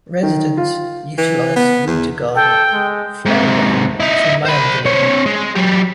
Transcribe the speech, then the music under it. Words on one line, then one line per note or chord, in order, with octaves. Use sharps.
Residents utilize Winter Garden, Florida for mail delivery.
D#3
F4
E3
B3
E2
A4 G5
G#3
G#2 C3
D#4 E4
C5 B5
C4 C#5
G#3
F#3 G4